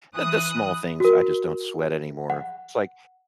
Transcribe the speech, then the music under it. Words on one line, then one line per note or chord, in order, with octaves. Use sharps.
The the small things, I just don't sweat anymore. It's like,
E3 D#6 F#6
F#4 A#4
F#5